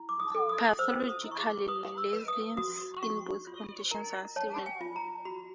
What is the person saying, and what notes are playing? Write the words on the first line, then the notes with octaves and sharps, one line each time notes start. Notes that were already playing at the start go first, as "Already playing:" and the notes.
Pathological lesions in both conditions are similar.
Already playing: E4
D6
D#6
A4
D#6
C5 E6
D#6
E4
C#6
D6
B4 D#6
E6
B4
D#6
F#4 D#6
F#4 C#6
F4 C6
A#4 A#5
C#5 A5
G#5
F4
A#5
F#4 B5